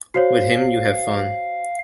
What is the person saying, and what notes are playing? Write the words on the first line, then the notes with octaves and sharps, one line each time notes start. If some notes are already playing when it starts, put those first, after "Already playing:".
With him, you have fun.
F#4 C5 C#5 F5